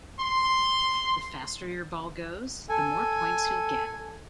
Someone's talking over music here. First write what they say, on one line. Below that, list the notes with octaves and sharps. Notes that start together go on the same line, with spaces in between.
The faster your ball goes, the more points you'll get.
C6
A4 G#5